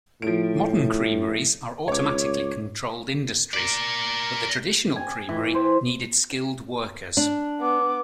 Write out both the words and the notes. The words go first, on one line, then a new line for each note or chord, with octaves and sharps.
Modern creameries are automatically controlled industries, but the traditional creamery needed skilled workers.
A2 F3 D7
C#2 C#5 D6
A#4 D5
G#5
E3
C5
D4
B3 D6